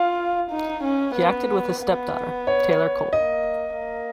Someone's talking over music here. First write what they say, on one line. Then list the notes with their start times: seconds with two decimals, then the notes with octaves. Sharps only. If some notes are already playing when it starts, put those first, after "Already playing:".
He acted with his stepdaughter, Taylor Cole.
Already playing: F4 F5
0.51 D#4
0.84 C#4
1.16 B3
1.81 B3
2.47 C#5
3.13 A#3 D#5
3.78 A#3